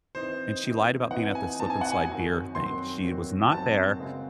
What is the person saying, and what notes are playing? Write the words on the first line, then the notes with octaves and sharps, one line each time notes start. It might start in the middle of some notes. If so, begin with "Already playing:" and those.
and she lied about being at the slip and slide beer thing, she was not there.
E3 C4 D#4 C5
E3 C4 D#4
E3 C4 D#4 F#5
G#5
E3 C4 D#4 A5
G#5
F#5
G#5
F#2 D#3 F#3 C4 F#4
F#2 D#3 F#3 C4 F#4 C6
F#2 D#3 F#3 C4 F#4
F#2 D#3 F#3 C4 F#4 A5
C#3 G#3 C4 F#4